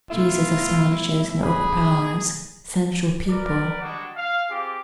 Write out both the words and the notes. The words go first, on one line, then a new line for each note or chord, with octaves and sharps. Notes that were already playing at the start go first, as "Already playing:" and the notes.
Jesus astonishes and overpowers sensual people.
B2 A3 E4 F4 E5
D4 G#4 B5
A#4 B4 D5
G3 G#3 D4 F#4
F5
C4 F4 G4 G#4 D6